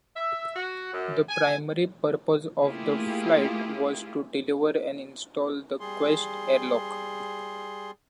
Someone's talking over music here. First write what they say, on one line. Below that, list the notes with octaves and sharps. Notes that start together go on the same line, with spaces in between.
The primary purpose of the flight was to deliver and install the Quest airlock.
E5
F#4
F#2
G#5
A3 A#3 E4 F4 G4 G#4
G3 G#4 C6